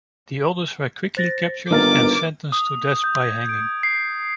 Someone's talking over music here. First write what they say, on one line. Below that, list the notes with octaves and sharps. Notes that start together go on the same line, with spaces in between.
The others were quickly recaptured and sentenced to death by hanging.
C5 A6 A#6
G1 D#3 A#3 B3 A#4 D6 F6 A6
D#6
G6
G#6
D7
C7